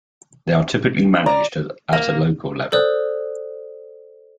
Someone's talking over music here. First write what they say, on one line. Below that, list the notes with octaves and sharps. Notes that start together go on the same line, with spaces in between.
They are typically managed at a local level.
D5 A#5
A#3
A4 C5 D5 D#6 F#6